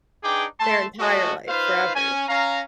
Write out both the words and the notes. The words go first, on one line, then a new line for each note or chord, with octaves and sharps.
their entire life, forever.
D4 D#4 G#4 B4 G5 D6
A3 A5 C6
G#3 A3 F#4 A4 C#5 D#5
D#4 F4 B4 C5 F5
C#4 G#5
C#4 F5 A#5